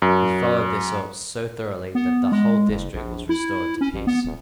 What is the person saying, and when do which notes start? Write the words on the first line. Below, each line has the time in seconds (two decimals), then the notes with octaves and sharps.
He followed this up so thoroughly, that the whole district was restored to peace.
0.02 F#2
1.95 B3
2.32 G#3
2.69 F#1
2.95 A#1
3.29 E4
3.81 C#4
3.93 A1
4.07 B3
4.25 D#1